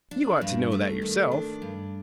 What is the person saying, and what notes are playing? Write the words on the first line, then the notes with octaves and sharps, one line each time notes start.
You ought to know that yourself.
D4
G2
A3
D#3
D4
G2